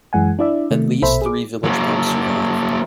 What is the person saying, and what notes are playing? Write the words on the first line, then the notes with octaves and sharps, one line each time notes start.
At least three village pumps survive.
F#2 E3 G#3 F#5 G#5
D4 E4 D5 E5
C3 D#3 A3
A#1 B2 A4 C5 E5 B5
G#4 D6
F#3 A#3